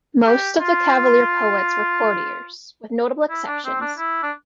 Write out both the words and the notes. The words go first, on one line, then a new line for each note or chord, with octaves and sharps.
Most of the cavalier poets were courtiers, with notable exceptions.
G4
F4
E4
D4
C4
D4
E4
D4